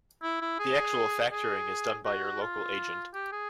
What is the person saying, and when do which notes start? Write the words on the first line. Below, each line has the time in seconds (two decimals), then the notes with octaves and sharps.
The actual factoring is done by your local agent.
0.23 E4
0.41 E4
0.59 G#4
1.32 G#4
2.05 F#4
2.42 F4
3.14 G4
3.32 G#4